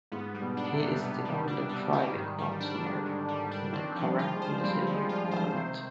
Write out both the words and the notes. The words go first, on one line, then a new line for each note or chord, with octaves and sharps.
He is the only Privy Councillor in the current New Zealand parliament.
G#2 B3
G3
B2
D4
C3
B2 G3
C3
B3
G3
D4
G3
D#3
G#2
G3
D4
D3 D#3
G#2
G3
D4
D#3 C4
F3
G3
F4
G#3
C5
G3 C4
F3
G#3
F4
G#3
C5
C3 D#3